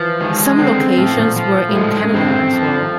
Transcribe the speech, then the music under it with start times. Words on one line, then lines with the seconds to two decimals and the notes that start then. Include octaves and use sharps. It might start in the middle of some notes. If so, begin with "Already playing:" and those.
Some locations were in Canada as well.
Already playing: E3 F3
0.20 D#3 G#3
0.59 D3 C4
0.78 C#3
0.97 A2 F3
1.17 A#2
1.36 F3
1.69 A2
1.75 G#2 G#3
2.04 F#2
2.13 G2 C4
2.52 F3